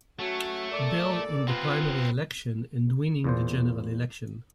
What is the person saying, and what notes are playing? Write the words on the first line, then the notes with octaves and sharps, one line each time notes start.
Bell in the primary election and winning the general election.
F#3 A3 C#4 F#4
A#2 A4 D5
C3 B3 C4 F4 B4
E2 A#2 C5